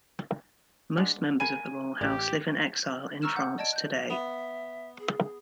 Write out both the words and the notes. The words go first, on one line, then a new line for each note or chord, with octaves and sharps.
Most members of the royal house live in exile in France today.
G#3 D4 F#5
A#3 G#5 B5 D#7
A1 G4 D5
A#5 C#6 E6 F6 E7
F#5 G6
D5 D#5 A5 G#6 D7
F#6 G6
B3 E5
G#4